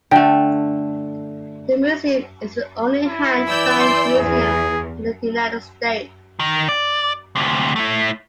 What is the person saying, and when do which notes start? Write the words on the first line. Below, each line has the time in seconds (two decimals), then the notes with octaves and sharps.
The museum is the only Hand Fan Museum in the United States.
0.11 D3 A3 G5 A5
3.06 E4
3.49 E3 D5 E6 G6
3.80 C6
4.19 E2 G#4
6.39 D#3
6.69 D5
7.35 D2 C3
7.76 A3 E4